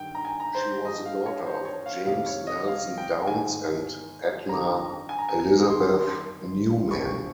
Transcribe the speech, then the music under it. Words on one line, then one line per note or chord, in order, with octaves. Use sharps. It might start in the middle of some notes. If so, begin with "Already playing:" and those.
She was the daughter of James Nelson Downs and Edna Elizabeth Newman.
Already playing: G2 D#3 G5
A#5
G#5
A#5
C5
G2 F3 D#5
F5
C#5
C5
C#5
F5
F2 C3 D#3 F5
C#5
D#5
F5
G5
G#2 D#3 G#5
G2 D#3 A#5
G#5
A#5
G#5
G#5
F2 D#3 C6
C6
G2 F3 C#6